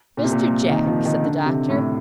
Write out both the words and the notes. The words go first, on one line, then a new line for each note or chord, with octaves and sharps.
'Mr. Jack!' said the Doctor.
A#2
C3
A#2
D#3
F3
D#3
D3
C3
A2